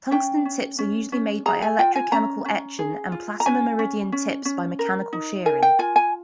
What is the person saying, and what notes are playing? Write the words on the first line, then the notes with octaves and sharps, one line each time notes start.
Tungsten tips are usually made by electrochemical etching, and platinum-iridium tips by mechanical shearing.
C#4 G5
C#4
C#4
C#4
G#4 A#5
G#5
F4 G5
G#5
C#4 A#5
C#4
G#4
F4
A#5
C#4 G#5
C#4
C#4
C#4
A#4
D#4
A#4 G#5
G5
F4 G#5
G#5